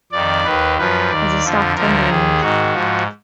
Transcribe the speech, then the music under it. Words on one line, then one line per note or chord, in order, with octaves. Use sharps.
Has it stopped thundering yet?
F2 D#3 D5
D#2 D#3 B4
F#2 F3 B4
D#2 D#3 D5
F2 D3 F3
D2 D3 F3 A#4
D#2 D#3 G#4
G#2 D#3 F#4
G#2 F3